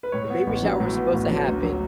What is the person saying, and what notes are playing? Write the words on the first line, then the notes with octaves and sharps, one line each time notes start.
the baby shower was supposed to happen,
B4
A2 C#5
B3
A1
F#3
A2
B3
A1
F#3
D2
F#3